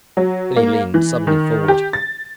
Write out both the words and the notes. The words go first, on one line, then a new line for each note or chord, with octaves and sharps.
Then he leaned suddenly forward.
F#3
A#3
E3
D#3
G4
A6